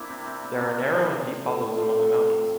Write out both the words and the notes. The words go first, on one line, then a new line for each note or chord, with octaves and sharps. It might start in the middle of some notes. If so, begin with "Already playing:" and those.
There are narrow and deep hollows among the mountains.
Already playing: A#3 C4 D4 E4
C3
C3
C3
C3
C3
C3 F4
C3
A2
A2
A2 F4
A2 F4 G4
C3 A4
C3
A2